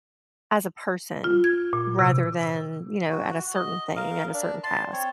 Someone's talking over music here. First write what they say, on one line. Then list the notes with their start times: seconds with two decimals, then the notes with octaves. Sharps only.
as a person rather than, you know, at a certain thing, at a certain task.
1.24 F4
1.44 G#6
1.73 A#2
1.99 C3
3.10 F#4
3.54 D#5
3.96 A#4 F5
4.34 D4
4.64 A5 C6
4.92 C4 C#5